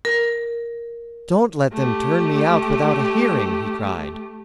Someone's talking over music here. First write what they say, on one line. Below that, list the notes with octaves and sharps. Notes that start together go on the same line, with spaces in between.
"Don't let them turn me out without a hearing!" he cried.
A#4
A3 G4